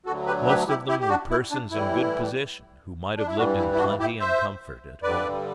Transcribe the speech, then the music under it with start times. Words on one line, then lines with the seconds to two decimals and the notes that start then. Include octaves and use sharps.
Most of them were persons in good position, who might have lived in plenty and comfort at home.
0.06 D2 D3 F#3 F#4 A4
0.26 G4 B4
0.47 G4 B4
0.68 E4 G4
0.88 E4 G4
1.01 G4
1.09 D4 F#4
1.30 E4
1.51 D4
1.71 A2 E3 G3 E4
3.17 D4
3.27 E4
3.37 G2 E3 G3 D4 F#4
3.58 E4
3.72 E4
3.78 D4 F#4
3.99 E4 G4
4.20 C5 E5
5.03 G2 D3 G3 B4 D5